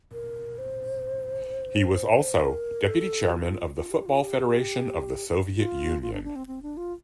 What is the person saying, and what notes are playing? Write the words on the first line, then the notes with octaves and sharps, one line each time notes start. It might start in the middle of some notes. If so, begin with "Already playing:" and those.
He was also deputy chairman of the Football Federation of the Soviet Union.
A#4
C5
C5
A#4
A4
F4
F4
G4
F4
G4
F4
F4
D4
D4
C4
C4
D4
F4